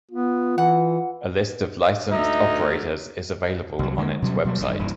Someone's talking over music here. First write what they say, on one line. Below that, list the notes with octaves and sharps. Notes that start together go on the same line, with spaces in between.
A list of licensed operators is available on its website.
B3 F4
E3 F#5
D2 D#4 E5
C2 F#3
D3 G#3 A#3
B2 F#3 G3 C#4
B2 F#3 G3 A#3
A#1 G2 D#3 E3
D#1 G2 E3